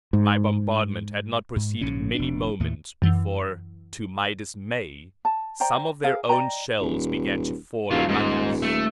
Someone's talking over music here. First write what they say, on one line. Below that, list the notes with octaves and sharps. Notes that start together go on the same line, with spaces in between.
My bombardment had not proceeded many moments before, to my dismay, some of their own shells began to fall among us.
G#2
G#2
A#1 G#2 C#3 C#4
F1 D4
D#2 A2 A3
F#2 E3
A5
C5 D5 G5 A#5
G#4 A#4 F5
D5 D#5 G5 A#5
D#1
D#1 F#3 F4
D#1 G#2
A3